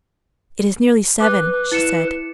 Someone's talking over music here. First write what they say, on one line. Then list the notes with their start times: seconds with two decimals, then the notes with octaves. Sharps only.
'It is nearly seven,' she said.
1.20 B4 D6 F#6
1.72 E4 C#7 E7